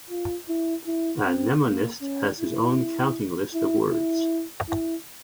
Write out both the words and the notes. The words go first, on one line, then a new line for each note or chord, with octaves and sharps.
A mnemonist has his own "counting list" of words.
F4
E4
E4
C4
A#3
C#4
E4
E4
E4
E4